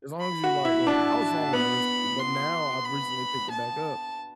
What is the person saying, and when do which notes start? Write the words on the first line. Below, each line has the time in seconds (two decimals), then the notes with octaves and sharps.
as long as you like, oh I was following a recipe, but now I've recently picked it back up
0.21 B5
0.44 F#4
0.65 E4
0.87 D4 A5
1.53 B3 B5
2.19 C6
2.84 B5
3.50 A5